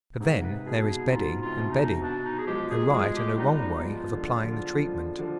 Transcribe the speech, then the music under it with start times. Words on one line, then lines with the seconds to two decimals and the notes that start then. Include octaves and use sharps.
But then there is bedding and bedding--a right and a wrong way of applying the treatment.
0.20 G#2 C3 G#4
0.44 B4
0.66 B2 G#4
0.89 G#4
1.11 G#2 F4
1.42 C3 F4
1.58 B2
1.72 D#4
2.02 B2 D4
2.25 D#4
2.38 G#4
2.47 F3 G#3 G4
2.70 G#4
2.93 F3 G#3 G#4
3.16 G4
3.38 G3 B3 D#4
3.61 D#4
3.83 F3 G#3 F4
4.13 D3 F3
4.44 D3 F3
4.74 D3 F3
5.19 D3 F3